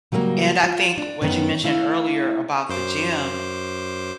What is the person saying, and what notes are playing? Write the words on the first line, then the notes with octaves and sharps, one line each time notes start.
And I think what you mentioned earlier about the gym,
C#3 F#3 G3 A3 A#3
F4
D4
F#2 D#3 B3 C#4
A3 E4 F5
F#2 C5 D6